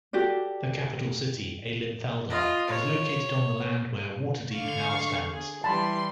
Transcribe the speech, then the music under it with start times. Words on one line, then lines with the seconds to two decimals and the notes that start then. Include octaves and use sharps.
The capital city, Aelinthaldaar, was located on the land where Waterdeep now stands.
0.13 F#4 G4 A4 D5
2.30 F4 D#5
2.68 C#5
4.56 D3 F5 C#6
5.34 G#4
5.64 E3 G3 A5 B5 C6